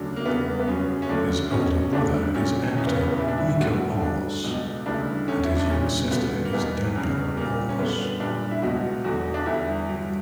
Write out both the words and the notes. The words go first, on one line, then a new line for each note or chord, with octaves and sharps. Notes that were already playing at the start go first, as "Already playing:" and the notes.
His older brother is actor Mico Olmos, and his younger sister is Daniela Olmos.
Already playing: D2 C#3 F#3 D4
A#3
E2 C#3 G3 B3
B3
F#2 C#3 F#3 C#4
C#4
D2 D3 F#3 D4
E2 B2 F#3 C#4
D2 D3 G3 D4
A#2 F#3 C#4
E2 C#3 E3 C#4
B3
B3
B3
A#2 G3 E4
D4
E4
E4
D2 D3 G3 F#4
G2 F#3 D4
C#2 B2 F#3
D2 C#3 E3 G3 D4
E2 D3 G3 C#4
E4
D4
A#2 G3 C#4
G2 D3 F#3 B3
A#3
E2 B2 G3 B3
E2 C#3 G3
A#2 G3 A#3
C#4
F#2 D3 G3 B3
A#2 G3 D4
E4
C#2 B2 F#3 F#4
E2 D3 F#3 F#4
D4
E2 D3 G3 E4
G2 F#3